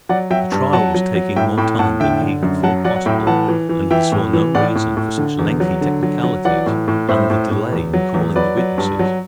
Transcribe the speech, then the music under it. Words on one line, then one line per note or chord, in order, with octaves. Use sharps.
The trial was taking more time than he had thought possible, and he saw no reason for such lengthy technicalities and the delay in calling the witnesses.
F#3 D5 F#5
F#3 E5 G5
G2
F#3 F#5 A5
F#3
F#3
A2 E5 G5
A2 G5 B5
A2 F#5 A5
D3 E5 G5
D3
F#2
F#3 F#5 A5
F#3 D5 F#5
F#5
A2 E5 G5
E3 F#5 A5
E3
E3
E3 E5 G5
A2
E3
A2 D5 F#5
A2
A2
D3
E2
F#3
D3
F#3
F#3
E3 D5 F#5
A2
A2
A2 C5 E5
A2
A2
E2
F#3
E2
F#3 B4 D5
F#3
G2
F#3